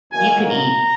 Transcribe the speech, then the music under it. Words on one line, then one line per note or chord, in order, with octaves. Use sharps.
You can eat
F#1 F#2 D#3 F#3 A#3 G#5
A#5